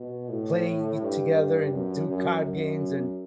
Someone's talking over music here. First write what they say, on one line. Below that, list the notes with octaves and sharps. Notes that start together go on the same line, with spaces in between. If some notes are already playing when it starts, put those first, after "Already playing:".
play it together, and do card games, and
Already playing: B2
A2
G2
F#2
F#2
F#2